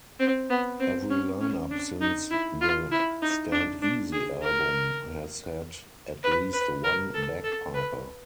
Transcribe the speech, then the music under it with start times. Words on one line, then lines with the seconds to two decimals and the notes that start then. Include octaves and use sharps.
Every line-up since the "Stand Easy" album has had at least one bagpiper.
0.20 C4
0.50 B3
0.80 C4
1.10 C#4
1.41 C#4
1.71 D4
2.01 D#4
2.31 E4
2.61 F4
2.92 E4
3.22 D#4
3.52 D4
3.82 D4
4.12 G#4
4.42 A#4
6.24 B4
6.53 B4
6.84 A#4
7.14 A4
7.44 A4
7.74 B4